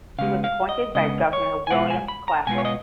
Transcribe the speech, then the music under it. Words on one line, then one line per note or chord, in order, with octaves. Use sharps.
He was appointed by Governor William Claflin.
C#3 G#3 B3 F5
F5
D#5
C#3 G#3 B3 D#5
C#5
G#5
B2 G#3 B3 F4 F#5
G#5
B5
A#5
B2 G#3 B3 F4 G#5
C#5
D#5